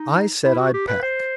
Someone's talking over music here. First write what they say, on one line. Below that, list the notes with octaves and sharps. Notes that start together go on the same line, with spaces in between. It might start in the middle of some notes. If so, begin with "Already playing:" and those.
I said I'd pack.
Already playing: D#4
E4
F#4
G4
B4
C5